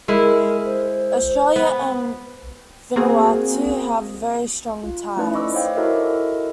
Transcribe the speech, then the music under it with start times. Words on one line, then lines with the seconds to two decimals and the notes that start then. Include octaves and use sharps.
Australia and Vanuatu have very strong ties.
0.08 G#3 E4 A#4
0.65 C5
1.56 B3
2.96 A#3 C4 F#4 G#4
4.84 F4
5.17 A3 C#4 D#4 E4 B4 D5
5.34 D#5 C#6 D6 E6
5.54 C5 C#5 F5 G5 D6
5.76 E4 F#4 A4 A#4 D#5 E5